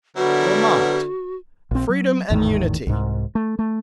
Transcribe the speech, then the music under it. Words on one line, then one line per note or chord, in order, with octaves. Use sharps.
Vermont--Freedom and Unity.
D3 F#3 G3 B3 E4 F#4 A#4
A#1 C4
F#3
G#1 E2 A2 D#3
C2 G#2
A3
A3